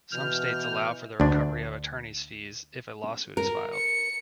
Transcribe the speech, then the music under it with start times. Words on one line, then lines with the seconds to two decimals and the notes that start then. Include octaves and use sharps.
Some states allow for the recovery of attorney fees if a lawsuit is filed.
0.12 B2 E3 F6 G6
1.20 D2 D4
3.37 A#4
3.74 C#7